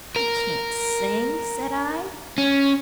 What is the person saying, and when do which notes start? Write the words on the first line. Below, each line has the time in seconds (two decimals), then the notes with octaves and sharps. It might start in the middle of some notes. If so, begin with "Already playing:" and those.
"I can't sing," said I.
0.16 A#4
2.38 C#4